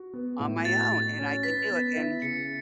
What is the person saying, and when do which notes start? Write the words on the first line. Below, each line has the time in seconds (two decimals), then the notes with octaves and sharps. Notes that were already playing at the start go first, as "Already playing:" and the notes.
On my own, and I can do it, and
Already playing: F#4
0.13 B3
0.40 A2
0.65 F#4 A6
0.92 F#4
1.18 C#4
1.43 B4 B6
1.70 B3
1.96 E4
2.22 C#3 C#7